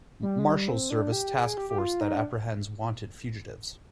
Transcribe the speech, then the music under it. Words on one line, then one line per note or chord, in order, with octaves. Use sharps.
Marshals Service task force that apprehends wanted fugitives.
G3
G#3
G3
C4
D4
G4
G#4
G4
G4
F4
D#4
D4